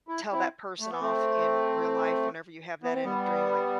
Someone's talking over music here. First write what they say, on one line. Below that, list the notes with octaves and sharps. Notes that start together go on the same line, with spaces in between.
tell that person off in real life whenever you have that in a dream, like,
E4
C4 E4
A3
B3
A3 C4
B3
C4
G3 B3